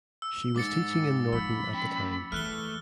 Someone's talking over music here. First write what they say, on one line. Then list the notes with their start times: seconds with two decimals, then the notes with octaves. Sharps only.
She was teaching in Norton at the time.
0.22 E6
0.56 G#3 D#4 D6 A6 C#7
1.32 F3 B5 E6
1.74 C#4 G5
2.32 E2 A3 F6 F#6 G7